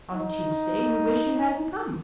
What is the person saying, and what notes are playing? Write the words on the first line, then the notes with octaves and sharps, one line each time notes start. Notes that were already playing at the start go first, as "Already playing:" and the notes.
On Tuesday, you wish you hadn't come.
D#4